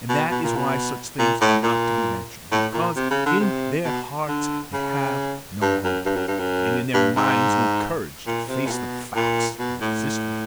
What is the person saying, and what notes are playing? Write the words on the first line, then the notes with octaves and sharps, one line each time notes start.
And that is why such things are not to be mentioned, because in their hearts they have no hope, and in their minds no courage to face the facts of existence.
B2
B2
A#2
B2
A#2
A2
A#2
A2
A#2
C3
C#3
D3
C3
B2
D3
C#3
G2
F#2
G2
F#2
G2
F#2
G2
G#2
A#2
C3
A#2
B2
A#2
B2
A2